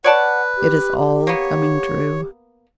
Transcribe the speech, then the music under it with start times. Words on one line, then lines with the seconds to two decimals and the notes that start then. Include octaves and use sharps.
It is all coming true.
0.04 B4 C#5 D5 F#5 A5
0.58 G4
1.27 A#3 B3 C#5